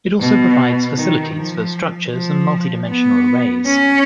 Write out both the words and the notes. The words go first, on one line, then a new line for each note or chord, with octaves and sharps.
It also provides facilities for structures and multi-dimensional arrays.
B2
D#3
F3
F3
B3
C#4